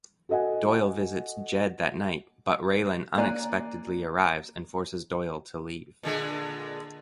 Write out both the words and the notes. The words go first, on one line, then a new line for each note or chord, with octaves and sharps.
Doyle visits Jed that night but Raylan unexpectedly arrives and forces Doyle to leave.
F#4 A4 D#5 F#5 G#5
A#3 D5 G#5 A#5 F#6
A#2 D3 G#3